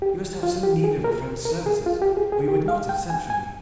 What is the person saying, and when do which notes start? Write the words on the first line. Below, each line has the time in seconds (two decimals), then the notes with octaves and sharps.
You must have some need of a friend's services, or you would not have sent for me.
0.02 G4
0.43 F4
0.63 G4
0.84 G#4
1.04 A#4
1.45 A#4
1.66 G#4
1.86 F4
2.02 G4
2.17 G#4
2.32 G#4
2.48 G4
2.68 F5
2.89 G5
3.10 G#5
3.30 G#5